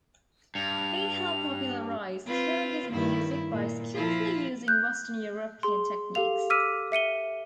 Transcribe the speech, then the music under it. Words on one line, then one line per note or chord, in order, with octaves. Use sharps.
He helped popularize Kyrgyz music by skillfully using Western European techniques.
G2 F7
C4 F4 B4
G2 D#3 E4
A#2
F3 E4 F4
F#6 G6
G#4 C6
G4 A4 F5 F7
D6 E6 F6 B6 D#7
E5 C#7 D#7 G7